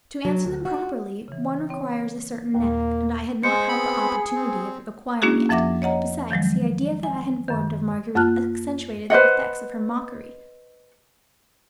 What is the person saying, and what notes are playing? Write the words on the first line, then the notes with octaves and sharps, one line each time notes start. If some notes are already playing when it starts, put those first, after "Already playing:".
To answer them properly, one requires a certain knack, and I had not had the opportunity of acquiring it; besides, the idea that I had formed of Marguerite accentuated the effects of her mockery.
F#3
D2
F#4
C#3 E3
C4 C#5 G5
D#2 A#2 A#3
G#3 G#4 C5 C#7
B3 C4 B5
C4
A#3 C#4 D4 E4 F#4 G#4
F2 F3 E5 F#5 D6 A#6
C#5 D#5 F#5 A#5
D#3 F3 F#3 G#3
G#5
F#2 D#3
F#2 A#3 F4 A5 F6 F#6
B4 C5 D#5 F#5